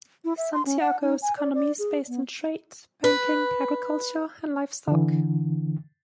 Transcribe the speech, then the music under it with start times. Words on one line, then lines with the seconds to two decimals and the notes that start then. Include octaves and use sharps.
Santiago's economy is based on trade, banking, agriculture and livestock.
0.25 E4
0.37 E5
0.53 C6
0.66 C#4
0.80 F#5
1.02 D#4
1.22 G#5
1.37 D5
1.54 D5
1.79 G#4
2.08 B3
3.04 B4
4.88 D3 E3